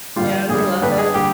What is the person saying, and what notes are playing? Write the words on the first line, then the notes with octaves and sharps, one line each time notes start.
Yeah, they love it.
G2 D3 G3 F4
G2 D3 G3 G#4
G2 D3 G3 B4
G#4
D3 G3 G4